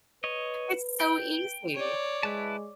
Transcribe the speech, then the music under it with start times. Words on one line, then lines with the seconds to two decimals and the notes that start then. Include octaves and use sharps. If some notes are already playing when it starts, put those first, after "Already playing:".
it's so easy.
0.24 B4 C#5 D#5
1.00 G5
1.75 C#5 D5
2.23 G#3 E4 B4 A5